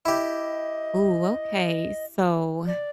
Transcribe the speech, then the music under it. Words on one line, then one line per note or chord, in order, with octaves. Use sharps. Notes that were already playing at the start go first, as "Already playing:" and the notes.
Ooh, okay. So
E4 G4 D#5
D5